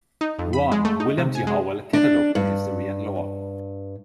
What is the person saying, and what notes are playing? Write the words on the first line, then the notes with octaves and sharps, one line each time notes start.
One, William T. Howell, catalogued their history and lore.
D#4
F2
B5
G#3
A3
D#4
C3
G#5
G#3
D4
G2